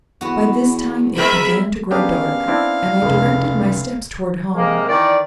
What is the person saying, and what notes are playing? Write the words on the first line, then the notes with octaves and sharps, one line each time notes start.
By this time it began to grow dark, and I directed my steps toward home.
E2 B3 F#4
G#3 B3 A#4 E5 G5 B5
B3 C#4 D4 G4 G#4 A#4 F5
C4 D4 E4
F1 C#2
C3 G#3 A#3
D#3 E3 D5